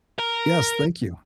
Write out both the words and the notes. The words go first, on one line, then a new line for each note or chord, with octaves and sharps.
Yes, thank you.
A#4 A#5